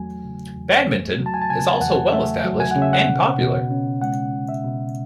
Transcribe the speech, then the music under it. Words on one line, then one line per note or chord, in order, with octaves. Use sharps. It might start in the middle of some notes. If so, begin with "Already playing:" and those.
Badminton is also well established and popular.
Already playing: E2 F#3 A3 G#5
C#3
E2
A3
F#3
A5
G#5
A5
C#3 G#5
E2 F#5
A3 E5
F#3
G#5
C#3 F#5
E5
F#5
B2
B2
C#4
G#3 F#5
B2
E5
B2